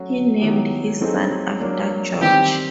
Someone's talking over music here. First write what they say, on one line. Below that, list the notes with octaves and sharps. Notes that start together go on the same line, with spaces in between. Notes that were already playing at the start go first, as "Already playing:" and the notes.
He named his son after George.
Already playing: F#3 A3 C#4 F#4
D#3 F#3 B3 E4 G4
F#3 A3 C4 D#4 G#4
F#3 A#3 D4
D#3 G3 C4 G4